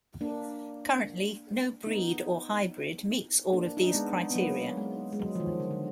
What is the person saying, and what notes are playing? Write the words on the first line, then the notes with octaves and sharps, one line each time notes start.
Currently, no breed or hybrid meets all of these criteria.
A#3 D4
B3 D#4
A#3 D4
D#4
D4
G#3 B3
B3
F#3 A#3
G#3
G#3
F#3
F3
D#3
D3
D3